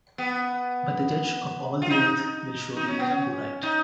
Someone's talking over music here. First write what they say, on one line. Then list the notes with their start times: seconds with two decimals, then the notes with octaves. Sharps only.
But the Judge of all the earth will surely do right.
0.18 B3
1.82 F4
1.90 D#4
2.77 D#4
2.88 C#4
2.99 B3
3.10 C#4
3.63 D#4